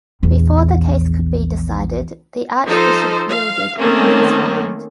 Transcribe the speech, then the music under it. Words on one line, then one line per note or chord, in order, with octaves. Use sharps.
Before the case could be decided, the archbishop yielded and was fined.
A#1 E2
F3 D#4 A4 C5
F5
D#3 A3 A#3 C4 C#4